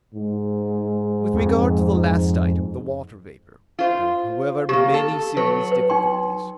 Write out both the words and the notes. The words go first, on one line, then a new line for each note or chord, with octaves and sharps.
With regard to the last item--the water-vapour--there are however many serious difficulties.
G#2
F2
F4 C5
C#3 A#3 G4
A4
F#3 B4
B4
D#4 G5 C6